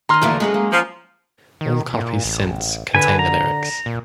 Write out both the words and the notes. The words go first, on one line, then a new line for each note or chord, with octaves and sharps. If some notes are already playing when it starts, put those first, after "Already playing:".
All copies since contain the lyrics.
D#3 D#5 A#5 C6 F6
E2 D3 E3 F#3 A3 A#3
G#3 C#4 B4 F#5
A#3
F3
D#3
A#2
A1
D3 B4 G#5
A#5
A#2